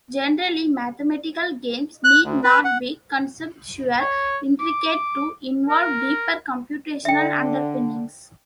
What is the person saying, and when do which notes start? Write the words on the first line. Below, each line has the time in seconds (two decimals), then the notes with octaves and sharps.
Generally, mathematical games need not be conceptually intricate to involve deeper computational underpinnings.
2.04 F#6
2.23 D2
2.44 B4
2.65 F#5
4.00 C#5
4.60 D6
5.69 A#4
7.05 D3 E5 G5